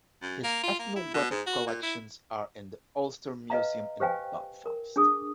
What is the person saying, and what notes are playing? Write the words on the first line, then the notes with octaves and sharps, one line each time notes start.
His ethnographic collections are in the Ulster Museum in Belfast.
F#2
A#3
F4
A#3
E4
B2
G#2
F#4
A#2
E4
B4 D#5 F5 A#5
G4 B4 C5 F5 G5 G#5
A#4
D4 G#4 D#6